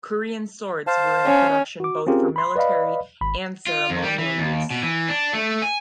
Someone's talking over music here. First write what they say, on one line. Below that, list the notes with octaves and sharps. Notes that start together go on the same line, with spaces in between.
Korean swords were in production both for military and ceremonial use.
C5 F5 A5
C#4
F#4 D6
C4 C#4 F4 G4 G#4 A#4
B5 C6
B4 D5 D#5 F5 B5
G#1 B5
F4
F2
G3
E3
D#2
B2
E3
D4
A3
G#5